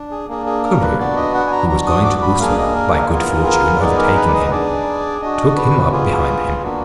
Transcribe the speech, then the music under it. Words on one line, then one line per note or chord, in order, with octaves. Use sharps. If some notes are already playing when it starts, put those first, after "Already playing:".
A courier who was going to Bussorah, by good fortune overtaking him, took him up behind him.
Already playing: D4
G#4
A#3 D4 G#4
G#4
A#4
B4
B3 D4 F#4 D5
D#5
F#5
G#5
A#5
D4 F#4 A#5
D#6
D6
B5
A#3 D4 G#4 F5
D#5
A#4
A#4
B3 F4 G#4 A#4
A#4
B3 D#4 G#4 D5
A#4
B4
D5
D#5
B4
D4 G#4 D5
D4 F#4 D#5
B4
B3 F4 G#4
A#3 D4 F#4